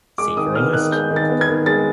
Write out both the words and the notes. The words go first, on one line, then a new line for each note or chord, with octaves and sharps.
See for a list.
G#3 D6
D#3 D#6
B3 F6
D#3 F#6
G#3 G6
D#3
A6
B3
G#6
D#3
G#3 A6